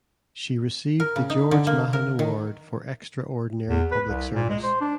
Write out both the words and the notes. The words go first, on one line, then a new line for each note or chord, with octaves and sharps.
She received the George Mahon Award for Extraordinary Public Service.
A#4
C#3
D#4
D3
A#3
A#4
D#3
E2
B4
C2
A#2
G#3
C5
D4